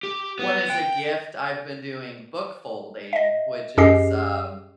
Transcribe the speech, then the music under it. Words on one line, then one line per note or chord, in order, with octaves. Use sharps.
one is a gift. I've been doing book folding which is, um
G4
B3
G5
D#5 E5
F#2 C#4 G4 G#4 D#5 C7